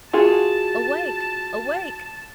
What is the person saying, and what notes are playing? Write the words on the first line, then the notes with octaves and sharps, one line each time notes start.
"Awake, awake!"
F4 F#4 G#4 A5